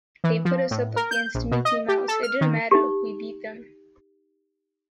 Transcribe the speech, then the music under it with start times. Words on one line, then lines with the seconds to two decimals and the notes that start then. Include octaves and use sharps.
They put us up against Mickey Mouse, it didn't matter, we beat them.
0.24 E3
0.45 F3
0.71 A2
0.96 A#4
1.11 G6
1.35 A#1
1.51 B2
1.65 D#5
1.88 G4
2.08 A4
2.23 F6
2.41 D#3
2.71 D#4 G4